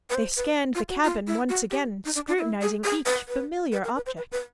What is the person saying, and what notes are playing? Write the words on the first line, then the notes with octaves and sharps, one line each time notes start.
They scanned the cabin once again, scrutinizing each familiar object.
B4
C5
B4
F4
F#4
F4
E4
F#4
G4
D#4
D4
D4
E4
G#4
G#4
B4
B4
B4
A#4
B4
C5
B4
B4